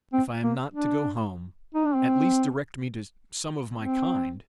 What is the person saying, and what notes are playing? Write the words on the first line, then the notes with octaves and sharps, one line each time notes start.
"If I am not to go home, at least direct me to some of my kind."
C4
A#3
D4
D#4
D4
C4
C4